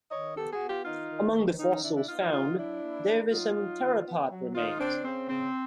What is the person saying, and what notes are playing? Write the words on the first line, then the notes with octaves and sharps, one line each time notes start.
Among the fossils found there were some theropod remains.
D#3 C#5 D#5
B3 G4 A4
F#4 G#4
B3
F4 G4
D#3 D#4 F4
D#3
D#3
D#3 C#4 D#4
C#3 D4 E4
D4 E4
B3 D#4 F4
D#4 F4
B3 D#4 F4
F#3 D4 E4
A#3
A#3
F#3 D#4 F4
F#3
D#3
B3
F#3
D#3 D#4 F4
C#3 C4 D4
C#3 C4
C#3 C4